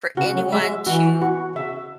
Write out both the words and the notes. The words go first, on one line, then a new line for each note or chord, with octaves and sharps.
for anyone to
C#3 F#4
F#3
G#3 E5
E3 F#4
F#4
C#3 E5